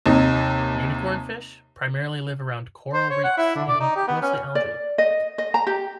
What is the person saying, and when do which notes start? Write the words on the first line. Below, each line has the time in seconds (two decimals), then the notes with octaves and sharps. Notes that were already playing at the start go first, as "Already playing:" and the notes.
Unicornfish primarily live around coral reefs and eat mostly algae.
0.06 D#2 C3 D#4
2.93 C5
3.10 C#5
3.24 F#5
3.37 E4
3.55 D3
3.68 D5
3.80 D#4
3.96 G4
4.08 B3
4.22 C#4
4.55 D5
4.98 D#5
5.38 D#5
5.54 A#5
5.67 G4